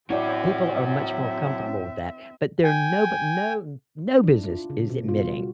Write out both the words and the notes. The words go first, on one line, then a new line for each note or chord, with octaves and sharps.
people are much more comfortable with that, but there are no bu no no business is admitting
A2 C4 C#4 E4 F#4 D5 E5
G5 G#5
D4
E4
F4
C#3
B2
F4
G3
F#4